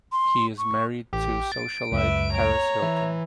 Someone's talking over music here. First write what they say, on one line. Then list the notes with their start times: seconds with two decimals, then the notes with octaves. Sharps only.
He is married to socialite Paris Hilton.
0.12 C6
0.58 C#6
1.13 A1 G4
1.52 A6 D7
1.92 C#2 F#2 B4 E5
2.32 C#5 A#5
2.82 E3 E5